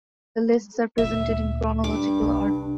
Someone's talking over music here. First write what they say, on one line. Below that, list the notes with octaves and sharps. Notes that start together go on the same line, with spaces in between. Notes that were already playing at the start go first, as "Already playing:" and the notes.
The lists are presented in chronological order.
D2 A#2 E5
G2 D4 D6
C2